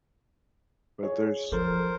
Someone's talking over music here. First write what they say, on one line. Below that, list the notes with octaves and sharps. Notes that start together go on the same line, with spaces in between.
But there's
G#4 C#5
F3 A4 A#4 C5